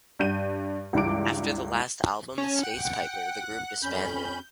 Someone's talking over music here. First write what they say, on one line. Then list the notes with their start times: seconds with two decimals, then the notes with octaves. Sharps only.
After the last album, "Space Piper", the group disbanded.
0.19 G2 G6 D#7
0.93 C#2 G2 E3 E4 D6 D7
2.38 C#4 A5
2.63 F#5 G5
3.82 F2 C#4 B5 G6